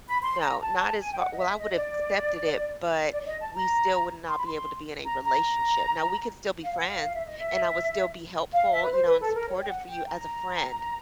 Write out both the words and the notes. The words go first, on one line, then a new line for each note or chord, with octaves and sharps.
No, not as far well, I would've accepted it, but we still would not be able to be in a relationship. Now we could still be friends, and I would still be helpful, you know, and supportive for you as a friend.
B5
C6
A#5
A5
A5
G#5
G5
F#5
D#5
E5
D#5
D#5
D5
D5
D5
D#5
A5
A#5
C6
B5
C6
A#5
A#5
F5
F#5
F5
F5
E5
D#5
E5
F5
E5
B4
C5
B4
A4
A#4
C#5
G5
F#5
G5
A#5